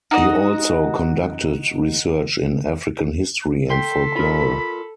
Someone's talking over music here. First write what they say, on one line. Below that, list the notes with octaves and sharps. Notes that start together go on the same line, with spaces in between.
He also conducted research in African history and folklore.
D#4 F#4 D5 D#5
A4 G5 C6 B6
F4 A#4 B5